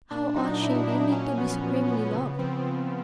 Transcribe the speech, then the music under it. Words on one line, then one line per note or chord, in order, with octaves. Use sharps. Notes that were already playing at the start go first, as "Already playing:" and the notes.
How ought she really to be supremely loved!
A#2 D4
F#3 D#4
A#2 E4
F#3 D4
A#2 C#4
F3 B3
A#2
F3 B3
C#3 B3
F3 C4
C#3 C4